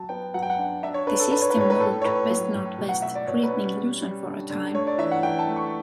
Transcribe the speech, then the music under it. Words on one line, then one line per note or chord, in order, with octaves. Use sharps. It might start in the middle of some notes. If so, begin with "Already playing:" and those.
The system moved west-northwest, threatening Luzon for a time.
Already playing: F#3 A5
B3 G5
F#3 F#5
G5
F#5
D4
D4 E5
C#5
D4 B4
A4
D4 B4
C#5
B4
A2 C#5
B4
A2 A4
C#5
A2 B4
F#3
A2
B2
F#5
B2 E5
D5
B2 C#5
B4
C#4
G3
G3
D3
D3
A3 C#5
D5
E3 E5
F#5
E3 G5
A5
A3
C#6